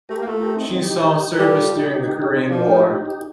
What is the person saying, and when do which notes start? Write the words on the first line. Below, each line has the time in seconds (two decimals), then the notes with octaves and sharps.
She saw service during the Korean War.
0.09 A3 G4 A#4
0.21 A#3
0.27 A3 F4 A4
0.41 G4 A#4
0.56 C4 D#4
0.70 C4 D#4
0.83 D#4 G4
1.34 A#4
1.38 G3 F4 A4
1.57 F4 A4
1.76 D#4 G4
1.94 D#4 G4
2.07 D#4 G4
2.22 D#4 G4
2.36 C4 D#4
2.50 F3 D4 F4
2.68 D#4 G4
2.80 F4
2.86 D#4 G4
3.05 D#4 G4